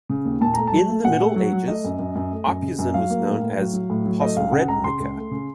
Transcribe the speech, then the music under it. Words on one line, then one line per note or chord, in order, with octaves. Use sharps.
In the Middle Ages, Opuzen was known as Posrednica.
C#3
D#2
A#2 A5
A3 A#5
F#3 A5
A3
A#2 F#5
A3
F#3
F#3
A3 D#5
F#2
F#2
F#2
A3
F#2
C#3
F#2
F#3 F5
A#3
A2
A2
F#3
F#3
A2
F#3
A3 D#5
C#2 F5
C#3 F#5
C#2 A#5
C#3 C6
C#2
A3
C#3